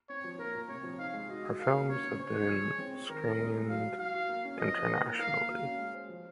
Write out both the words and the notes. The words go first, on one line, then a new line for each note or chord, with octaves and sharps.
Her films have been screened internationally.
C4 C#5
F3
A#3 A#4
A#2
C3 C#5
F3
D#4 F5
G#3
F#4 D#5
F#4
A#4 F5
A#3
C#3 C#5
C#3
C5 C#5
G#3
F3
G#4
C4
C4
D#3 A#4
C3
G#3
G#3
F#3 F5
F#3
F#4 F5
F#4
A#3
C#4
F3 D#5
F3
A#3
A#3
A#3 F5
A#3
F#4 F5
C#4
G#3
C5
F3